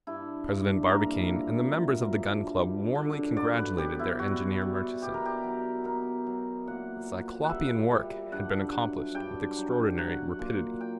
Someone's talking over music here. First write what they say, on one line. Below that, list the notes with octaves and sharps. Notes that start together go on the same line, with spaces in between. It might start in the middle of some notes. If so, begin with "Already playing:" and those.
President Barbicane and the members of the Gun Club warmly congratulated their engineer Murchison; the cyclopean work had been accomplished with extraordinary rapidity.
G2 E4
G2
A#2 A#4
A#2
F#3
G2
G2
D3
F#3 D5
B4
B2 G4
E4
G3 F#4
G3
B2 G4
A#4
G4
F#3
B2 A#4
F#3
A#2 F#5
F#3
F#5
G3 E5
G3
G2 F#5
F#3
G2 G5
F#3
F#3 F#5
A#2
G5